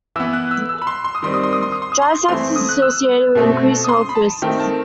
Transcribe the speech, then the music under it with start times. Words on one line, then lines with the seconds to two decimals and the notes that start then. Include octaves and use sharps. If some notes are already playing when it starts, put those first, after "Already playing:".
Dry sex is associated with increased health risks.
0.16 E3 B3 E6
0.33 F#6
0.51 E6
0.69 E6
0.82 B5
0.87 C6
1.04 C6
1.15 D#6
1.22 D#3 G3 C4 C6
1.34 D#6
1.43 C6
1.53 D#6
1.62 C6
1.72 D#6
1.82 C6
1.92 D#6
2.02 C6
2.28 E3 A3 C4 C6
2.56 D#6
2.69 F#6
2.82 E6
3.35 B2 A3 C4
3.84 D#6
3.88 C6
4.09 B5
4.15 A5
4.42 D#3 A3 C4 G5
4.60 A5